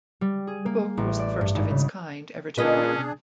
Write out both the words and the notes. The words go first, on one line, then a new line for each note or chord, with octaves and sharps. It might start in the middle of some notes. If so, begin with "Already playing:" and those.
The book was the first of its kind ever to be written.
G3
G#4
A#3
A1
D5
G2
G#1
C#3
A#2 C#4 D4 G#4 B4 D#5